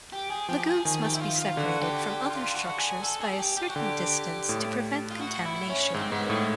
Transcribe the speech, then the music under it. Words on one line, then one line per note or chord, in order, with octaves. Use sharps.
Lagoons must be separated from other structures by a certain distance to prevent contamination.
G4
G#4
F3 G4
G#4
D#3 G#4
G4
E4
F4
F4
D3 F#4
G4
G4
F4
F#4
G#4
A4
G#4
G#4
G4
G4
F#4
D3 G4
A2
F4
F#4
E4
C#4
G#2 C4
G#2 B3
A#3
A2 A3